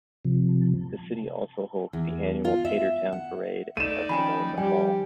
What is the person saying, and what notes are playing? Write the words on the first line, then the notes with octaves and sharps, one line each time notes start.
The city also holds the annual Tater Town Parade and festival in the fall.
C3 F3
E2
F4
E5
F#5
A3 D#4 D5 D#7 E7
D#3 F3 C#4 G5 G#5 B5
G3 G4 G5 G#5